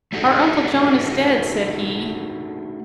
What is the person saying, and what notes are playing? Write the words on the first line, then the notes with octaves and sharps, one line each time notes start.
"Our uncle John is dead," said he.
A3 D4 D#4 F#4 G#4 A4